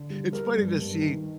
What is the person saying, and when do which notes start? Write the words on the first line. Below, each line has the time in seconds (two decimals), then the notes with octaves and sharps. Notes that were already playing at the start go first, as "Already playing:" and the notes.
it's funny to see
Already playing: D3
0.10 G3
0.33 G3 A#4
0.56 G2
0.80 G2
1.02 D#3